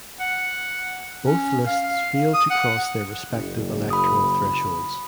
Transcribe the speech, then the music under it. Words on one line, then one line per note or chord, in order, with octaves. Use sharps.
Both lists failed to cross their respective electoral thresholds.
F#5
C#4
F5
D#6
F#5
F#1
B5 D#6